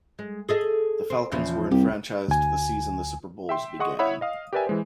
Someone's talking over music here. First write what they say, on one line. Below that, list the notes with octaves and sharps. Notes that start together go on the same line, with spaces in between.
The Falcons were enfranchised the season the Super Bowls began.
G#3
G#4 A4 D#5
C4
E2 C#3 F3
C2 G4
D2 G#5
E5 G5 C6
G#4 D#5 F#5 C6 C#6 D#6
E4 C#5 E5 F#5 B5 D#6
D#5 F5 D#6
G4 A#4 B4 D5 E5 G#5
E3 G#3 C5